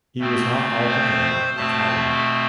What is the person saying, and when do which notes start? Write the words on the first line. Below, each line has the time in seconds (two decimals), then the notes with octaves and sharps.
He was not altogether a coward.
0.19 B2 A3 C4
0.88 C5
1.56 B2 A3 C4 A5